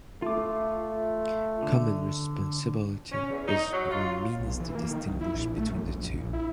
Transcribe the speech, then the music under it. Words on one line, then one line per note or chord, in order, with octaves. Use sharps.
Command responsibility is one means to distinguish between the two.
A3 F4 D6
D3
C#4
E2
D#4
F#3
F4
B1
E3
A#3
D#3
C2
E4
A#1
A3
F#2
A#1
A#1
E4